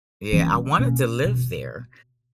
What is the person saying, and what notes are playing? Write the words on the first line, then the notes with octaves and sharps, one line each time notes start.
Yeah, I wanted to live there,
E3 G3 A#3 C#4
B2 A#3 C#4
B2